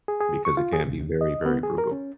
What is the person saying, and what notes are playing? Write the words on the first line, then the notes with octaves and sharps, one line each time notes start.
because it can be very, very brutal.
G#4
G#4
C#6
F4
G#4
C2
D#2
D#5
B3
G#4
A#4
C#4